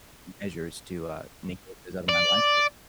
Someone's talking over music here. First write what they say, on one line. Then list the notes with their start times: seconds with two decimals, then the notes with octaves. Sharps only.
measures to, uh, negate those out of my life so I
2.09 D5